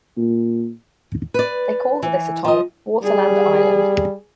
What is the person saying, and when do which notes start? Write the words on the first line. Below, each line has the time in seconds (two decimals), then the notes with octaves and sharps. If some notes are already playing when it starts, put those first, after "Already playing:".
They called this atoll "Waterland Island".
0.17 A#2
1.34 B4 D5
2.02 E3
2.44 F3 D#5
3.03 G3 G#4